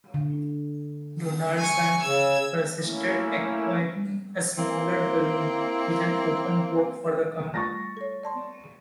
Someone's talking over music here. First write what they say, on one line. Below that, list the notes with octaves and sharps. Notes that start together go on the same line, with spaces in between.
Donaldson persisted, acquiring a smaller balloon with an open boat for the car.
D3
G#5 C#6
C#3 E6 G#6
A3 A#3 C#4 E4
A#3 C4 E4
G3 A3 F4 C#6 A6 A#6
A4 C#5
D5 A5 C6